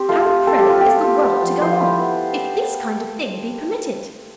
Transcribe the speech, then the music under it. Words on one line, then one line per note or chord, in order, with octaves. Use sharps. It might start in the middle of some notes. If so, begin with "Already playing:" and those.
How, pray, is the world to go on, if this kind of thing be permitted!
Already playing: C4 G4
A3 F4
F4
C4 A4
G4
A3 F4
A3 G4
F4
B3
F3
F3 C5
E4
B3